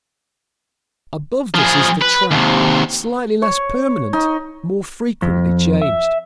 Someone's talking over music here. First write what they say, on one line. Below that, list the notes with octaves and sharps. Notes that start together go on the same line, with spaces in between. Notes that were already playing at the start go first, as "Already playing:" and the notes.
Above this is the track, slightly less permanent, more frequently changed.
F3 G#4
B4
D#2 C3
C#5
D#4
F2
E5